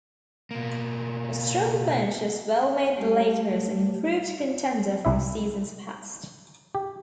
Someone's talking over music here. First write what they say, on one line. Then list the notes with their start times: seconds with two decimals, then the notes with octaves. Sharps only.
A strong bench as well made the Lakers an improved contender from seasons past.
0.51 B2 A#3
2.97 G3 A3 G4
5.05 C2 E4 E5
6.75 G4